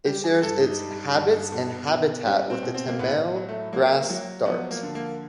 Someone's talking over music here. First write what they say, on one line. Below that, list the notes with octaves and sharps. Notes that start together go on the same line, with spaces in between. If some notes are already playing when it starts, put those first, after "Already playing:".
It shares its habits and habitat with the Tamil grass dart.
G3 G4
G#4
G2 A4
D#4
G3
G2
B2
B2
G3 C#4
C4
B2
C4
A#3
A2 B3
F#3
A3
F#3 A#3
F#3
F3 B3
A#3
D3
A#3